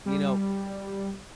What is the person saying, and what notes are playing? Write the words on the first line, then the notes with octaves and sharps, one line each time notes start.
you know,
G3